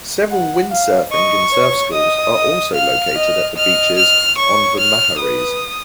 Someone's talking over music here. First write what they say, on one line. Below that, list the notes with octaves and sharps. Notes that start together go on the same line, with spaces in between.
Several windsurfing and surf schools are also located at the beaches on the Maharees.
F#5
F5
D#5 C#6
C#5
D#5 D#6
D#5
F5 F6
D#5
D#5 F6
F6
C#5 C#6
F6
B4 D#6